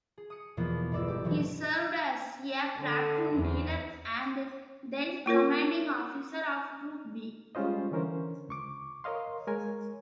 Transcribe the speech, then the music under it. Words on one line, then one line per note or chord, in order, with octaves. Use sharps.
He served as a platoon leader and then commanding officer of Troop B.
G#4
D#6 C#7
E2 B2 F3 A#3 B3
G1 G#3 D#4 D5 D6 E6
G4
B2 E3 F#3 A3 C4
D3
E2
A#3 F4 A#4 C#5
G3 G#3 C#4 F4 C5 D#5
D3 E3 C#4 A#4 C5
C#2 C#6 D6
A#4 C#5 D#5 F5 C6
G#3 A#4 C#5 G#5